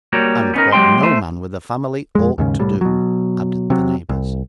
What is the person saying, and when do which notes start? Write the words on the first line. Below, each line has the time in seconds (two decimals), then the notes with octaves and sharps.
'And what no man with a family ought to do,' added the neighbours.
0.13 G3 A#3 F#4 C#5
0.54 B3 C#4 D#4 A#4
0.72 F#3 G#3 C#4 G4 G5 C6
1.03 A3 C5
2.15 F2 G#3
2.38 D#2 G#2 C#3
2.59 C2 A2 G3
2.81 B2 F#3
3.70 C3 F#3
4.09 C2